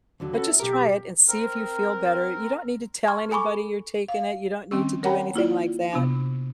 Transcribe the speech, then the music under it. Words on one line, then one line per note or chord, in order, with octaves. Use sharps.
But just try it and see if you feel better. You don't need to tell anybody you're taking it. You don't need to do anything like that,
D#2 D3 F#3
C#4 F#4 A4 B4
E4
B1 G4 A#4
C4 A#4
A5 C6 C#6 F6 G#6
A4 G#5 B5 C#6 D6
F5
D#3 G3 C4 C#4 E6
A#4 C#5 F#5 G5 A#5 B5
A#3 E4 F4 D5
C3 B3 D4